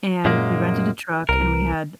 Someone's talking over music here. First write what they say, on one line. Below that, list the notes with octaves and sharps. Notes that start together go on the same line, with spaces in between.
and we rented a truck and we had
F#2 A#2 G#3 A#3
C2 A#4